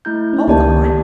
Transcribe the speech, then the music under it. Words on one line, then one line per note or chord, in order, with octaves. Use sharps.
Hold on!
A3 E4 G6
C#4 D#4
C#2 D#3 A#3 G4 D5 A5